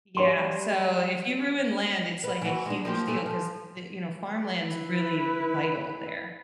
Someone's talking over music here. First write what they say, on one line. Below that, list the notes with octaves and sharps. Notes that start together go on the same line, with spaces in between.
Yeah. So, if you ruin land, it's like a huge deal 'cause the you know, farmland's really vital there,
G3 C#5 C6
B4
E3 F#4
G#3 D4
F3 A#3 G4
E3 A3
F3
E4 B4